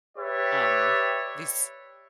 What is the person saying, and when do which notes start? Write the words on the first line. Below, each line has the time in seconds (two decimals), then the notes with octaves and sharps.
um, these
0.17 G4 B4 C#5 D5 E5